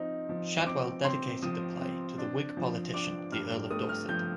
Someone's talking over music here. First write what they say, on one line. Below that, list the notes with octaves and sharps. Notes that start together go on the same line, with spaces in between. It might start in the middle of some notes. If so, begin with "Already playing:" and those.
Shadwell dedicated the play to the Whig politician the Earl of Dorset.
Already playing: F3 C4 D#4
F3
C4 D6
C4 C6
F3 D#6
C4
D4
F3
D4 D6
G2 F6
A3 D#6
F6
F3 G6